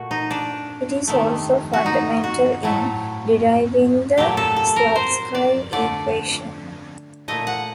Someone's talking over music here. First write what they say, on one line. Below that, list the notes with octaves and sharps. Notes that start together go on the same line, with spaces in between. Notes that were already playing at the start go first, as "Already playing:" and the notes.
It is also fundamental in deriving the Slutsky equation.
Already playing: A#2 A3 F#4
D#4
D4
C3 D#3 A3
F#4
D#4
F#4
A2 F#3 A3
A#2 F#3 A3 G4
A4
A4
A#4
C5
D5
D3 A3 D5
A#2 A3 D#5
F#5